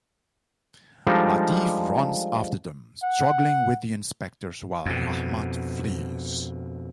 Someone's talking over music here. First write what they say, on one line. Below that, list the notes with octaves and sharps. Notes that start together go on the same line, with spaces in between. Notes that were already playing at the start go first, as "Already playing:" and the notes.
Lateef runs after them, struggling with the inspectors while Rahmat flees.
F3 G3 G#3 D4 D#4 A4
F#5
F2 B2